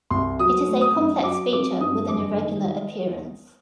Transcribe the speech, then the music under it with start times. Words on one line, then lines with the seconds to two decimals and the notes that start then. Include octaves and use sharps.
It is a complex feature with an irregular appearance.
0.10 C2 C6
0.39 F#3 D#6
0.68 A3
0.81 D#6
0.95 F#2
1.23 F#3 D6
1.52 C4 D6
1.80 G2 D#6
2.08 F#1 D6
2.37 D#3